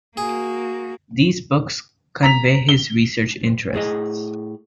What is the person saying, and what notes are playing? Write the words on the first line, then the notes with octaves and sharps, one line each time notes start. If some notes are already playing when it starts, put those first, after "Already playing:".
These books convey his research interests.
A#3 F#4 G#4
A#5 B6 F7
G7
A2 G#4 D#5